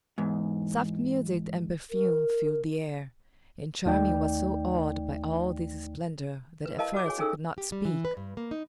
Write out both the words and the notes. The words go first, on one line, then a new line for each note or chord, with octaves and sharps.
Soft music and perfume filled the air, and Charming was so awed by all this splendor that at first he could not speak.
E2 G#2
A#4
D#2 A3 D#4 D5 G5
B4
E4 A#4 D#5 F5 A5
F#4 D6
G#4 C#5 G#5
C#4 D#4 F4 G#4 A4 E6
G4
G3
E3
B4
G2
A#3
D#4